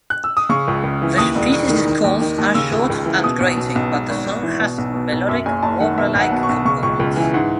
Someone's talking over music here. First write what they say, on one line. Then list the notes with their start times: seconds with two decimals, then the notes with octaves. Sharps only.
The species' calls are short and grating, but the song has melodic warbler-like components.
0.10 F#6
0.24 E6
0.37 D#6
0.49 C#3 C#6
0.68 C#2
0.84 C#2
1.02 E3
1.18 D#2 D#6
1.35 E1
1.53 E1
1.70 D#3
1.87 D#3
2.04 D#2
2.21 D#3
2.38 D#2
2.55 C#3 E6
2.72 C#2
2.90 C#2
3.06 E3
3.24 B2 D#6
3.40 B1
3.57 B2
3.75 B1
3.91 G#2
4.10 G#1
4.27 G#1
4.43 E3
4.60 B2
4.78 B1
4.94 B2
5.12 B1
5.28 F#2 E5
5.46 F#1 G#5
5.63 F#1 A5
5.80 D#3 F#5
5.97 B2 E5
6.15 B1
6.20 F#5
6.31 B2
6.43 C#6
6.49 B1
6.65 C#3 C#6
6.83 C#2 C#6
7.00 C#2
7.16 E3 G#5
7.34 G#2 F#5